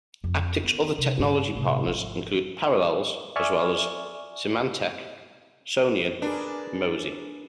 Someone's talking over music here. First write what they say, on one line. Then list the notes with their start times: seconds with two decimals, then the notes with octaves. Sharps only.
Apptix's other technology partners include Parallels, as well as Symantec, Sonian, Mozy.
0.24 F2
0.63 B3
0.98 C3
1.19 G2 D3
1.55 A2 C3
1.87 G#1 F3
3.36 D5 E5 G#5 C#6 F6
6.22 D4 G#4 A#4 B4